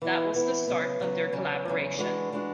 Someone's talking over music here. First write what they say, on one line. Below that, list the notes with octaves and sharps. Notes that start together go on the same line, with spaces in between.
That was the start of their collaboration.
E3 B3 E4
E3 B3 E4
C#3 F#3 B3
C#3 F#3 B3
E2 C#3 F#3
E2 C#3 F#3
E3 G#3 D4 F#4
E3 G#3 D4 F#4